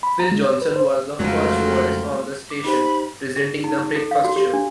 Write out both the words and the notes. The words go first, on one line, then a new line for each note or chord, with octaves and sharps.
Phil Johnson was the first voice on the station presenting the Breakfast Show.
B5
A#5
G#3
C#5
B4
C5
F2 C#3 F#3 G#3 A3 F4 A#4
D6
D#4 G4 C5 B5
G#4
D#4
C#6
A4
F5
F#4
G4
D4